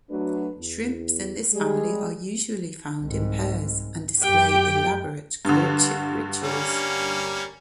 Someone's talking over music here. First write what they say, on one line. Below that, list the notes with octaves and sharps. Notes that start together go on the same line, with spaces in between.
Shrimps in this family are usually found in pairs and display elaborate courtship rituals.
F#3 A3 D4 F#4 A4 B4
E2
G3 G#3 G#4
C2 G#2
F#2 G4 G5
G2 D3
G3 A#3 C#4